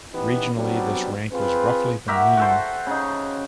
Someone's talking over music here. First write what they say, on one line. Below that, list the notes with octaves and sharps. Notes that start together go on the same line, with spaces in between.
Regionally, this rank was roughly the mean.
E3 B3 C#4 D#4 G4 B4
F#3 G3 B3 C4 D4 F#4
C4 F4 G#4 B4
F#4 G4 A#4 E5
F#4 A4 C5
C#3 D#4